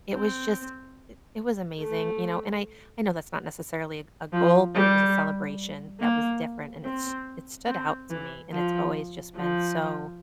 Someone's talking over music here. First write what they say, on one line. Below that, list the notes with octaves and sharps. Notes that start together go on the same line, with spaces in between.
It was just it it was amazing, you know, and I I know that's not necessarily a g a goal, but it was a celebration that was different, and it's it stood out to me, and it's always just been so
C4
A3
F3
G3
A#3
C4
C4
E3
F3
F3